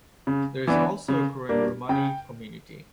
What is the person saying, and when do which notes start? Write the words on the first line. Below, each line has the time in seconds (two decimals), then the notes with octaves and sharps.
There is also a growing Romani community.
0.27 C#3
0.67 E3 B3 D4
1.08 C#3
1.49 G3 A#3 D4
1.89 C#3 G5